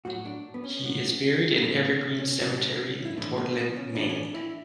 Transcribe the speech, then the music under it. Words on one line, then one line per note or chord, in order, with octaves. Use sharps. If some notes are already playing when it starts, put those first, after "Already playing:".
He is buried in Evergreen Cemetery in Portland, Maine.
A2 F#3 F#4
D4
B3
C#4
A2 F#3
B3
A2 F#3 A3
B3
C#4
A2 F#3
E4
A2 E3 D4
B3
B3
C#4
A2 E3 D4
C#4
D4
E4